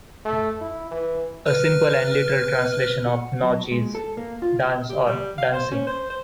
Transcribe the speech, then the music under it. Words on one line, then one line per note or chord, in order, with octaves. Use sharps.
A simple and literal translation of Nautch is "dance" or "dancing".
A3
E4
E3
B4 F6
F#4
F#3
G#3
A4
A#3
F4
G4
G3
F5
C5
C#4
C5
C5